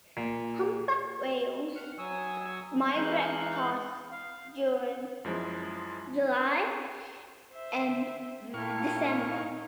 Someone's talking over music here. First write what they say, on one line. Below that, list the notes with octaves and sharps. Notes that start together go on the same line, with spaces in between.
Humpback whales migrate past during July and December.
A#2
F#5 F6
F#3 G#5 C#6 D#6 E6
E3 G#3 D#4 F5 F#6 G6
F5
F#2 F3 G#3 E4
C5 E5
A#2 E4 A4 F5 G5 C#6
D#4